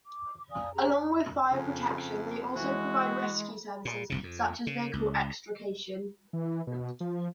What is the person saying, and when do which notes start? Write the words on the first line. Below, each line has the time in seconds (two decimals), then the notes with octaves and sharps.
Along with fire protection they also provide rescue services such as vehicle extrication.
0.07 D6
0.51 D5 F5 G#5 D#6
0.74 C#4 G4 G#4 A#5
1.51 F2 C#3
2.56 E3 G#3 F#4
3.85 A#2
4.10 F#1 C2 C3
4.23 F2
4.67 C#3
4.93 C#2
6.33 E3
6.67 B2
7.00 F3